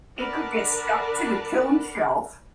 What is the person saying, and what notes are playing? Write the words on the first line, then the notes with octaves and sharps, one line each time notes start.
it could get stuck to the kiln shelf.
D3 A#4 B4 D5 F#5 A5